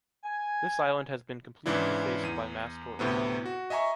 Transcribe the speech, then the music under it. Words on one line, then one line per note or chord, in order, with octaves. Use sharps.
This island has been completely defaced by mass tourism.
G#5
G#2 C#3 E3 D4 E4
E2 D#7
D2 A2 C3 B3
F#4
D#5 E5 G#5 A#5 C#6